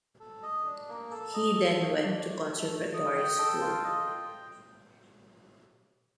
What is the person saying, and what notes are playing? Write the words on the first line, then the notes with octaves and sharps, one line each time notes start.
He then went to conservatoire School.
A4
D#5
D4
A#3
A4
D#5
A4
A3
D4
A3
A4
A3
D#5
G5
A4
F4
D#5
G5